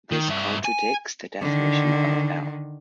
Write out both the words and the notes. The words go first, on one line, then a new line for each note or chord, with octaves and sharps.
This contradicts the definition of "L".
D#3
G2 E5
G#5
D3 D#3